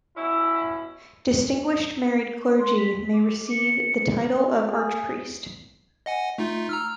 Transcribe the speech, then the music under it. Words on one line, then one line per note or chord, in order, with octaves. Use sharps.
Distinguished married clergy may receive the title of archpriest.
B2 C#4 E4
C6
B6
D6
C#7
G#4
D#5 F#5 G#5
A3 D#4 F4
A#5 E6 F6